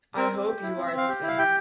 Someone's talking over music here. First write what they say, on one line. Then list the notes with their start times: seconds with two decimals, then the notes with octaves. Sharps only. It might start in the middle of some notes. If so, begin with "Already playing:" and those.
I hope you are the same.
0.17 C4 A#4
0.32 C4
0.48 G4
0.62 E4
0.77 C4
0.88 E5
0.92 C4
0.98 F5
1.09 G4
1.23 E4
1.28 F5
1.38 G4 G5